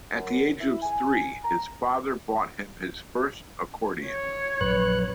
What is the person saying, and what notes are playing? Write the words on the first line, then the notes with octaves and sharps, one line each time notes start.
At the age of three, his father bought him his first accordion.
F#2
E4
G#5
A#5
C#5
A#1 F#2 B4 F#6